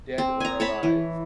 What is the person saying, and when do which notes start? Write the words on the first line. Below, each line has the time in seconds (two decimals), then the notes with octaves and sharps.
Dead or alive.
0.18 C4
0.40 G#5 A#5
0.60 C#5 A5 B5
0.83 E3